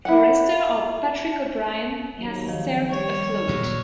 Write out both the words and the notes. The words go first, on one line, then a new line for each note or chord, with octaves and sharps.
Forester or Patrick O'Brian, he has served afloat.
E4 F#5
D#2 G#2 F#3
D#3 F3
G3 C#5
D2 A#2 F#3